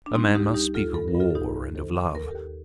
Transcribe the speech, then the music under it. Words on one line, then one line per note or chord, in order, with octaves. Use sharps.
A man must speak of war and of love.
D4
G3 C4 D#4
D2 D#4 G4
G3 D#4 G4
D2 F4 A4
G2 A4
A#4
G2
F4 A4
A4
G2 D#4 G4
G2
D#3 A4 C5
D#2
D#2 A#4
A4
D#2 G4 A#4